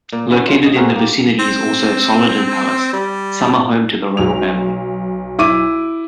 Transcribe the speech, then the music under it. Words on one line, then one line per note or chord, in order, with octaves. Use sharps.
Located in the vicinity is also Solliden Palace, summer home to the royal family.
A#2 A#3
E3 B3 C#4
F#3 G#3 F4
G#1 D#5
A3 C4 F#4 G#4 A#4
A#3 G4
C4
G3
B1 F7
E4 D6 D#7